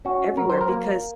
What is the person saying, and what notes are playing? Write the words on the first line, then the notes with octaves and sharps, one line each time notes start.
everywhere? Because
C#4 F#4
F#3 A#4
C5
A#4
A#3